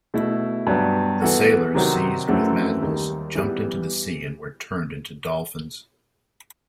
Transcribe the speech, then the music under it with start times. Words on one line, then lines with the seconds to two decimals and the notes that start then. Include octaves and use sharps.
The sailors, seized with madness, jumped into the sea and were turned into dolphins.
0.14 B2 A3 E4
0.67 G2 F#3 B3
1.21 E3 B3 F#4 A4
1.75 C3 D#3 F#3 C4 F#4
2.29 F#2 E3 A3 C4 F#4
2.82 D#2 D#3 G3
3.35 E3 G3 B3